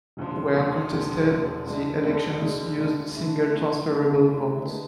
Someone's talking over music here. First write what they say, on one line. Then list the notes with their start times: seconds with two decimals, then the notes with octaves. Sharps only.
Where contested, the elections used single transferable vote.
0.17 E1 E2 D3 F3
0.54 E1 E2 D3 F3
0.92 E1 E2 D3 F3
1.29 E1 E2 D3 F3
1.67 D2 D3 G#3 D4
2.04 D2 D3 G#3 D4
2.41 D2 D3 G#3 D4
2.79 D2 D3 G#3 D4
3.16 D3 A3 E4
3.54 D3 A3 E4
3.91 D3 A3 E4
4.29 D3 A3 E4
4.66 D3 G#3 B3